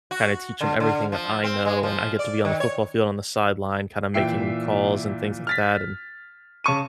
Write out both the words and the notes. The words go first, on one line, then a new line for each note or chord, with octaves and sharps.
kinda teach 'em everything that I know and I get to be on the football field on the sideline kinda making calls and things like that and
F#4
D3
D3
F3
C4
G#3
F3
D5
D#3
C#5
A#2 E3 E5 G5 C7
F6 A6 B6
C#3 A5 C#6 D#7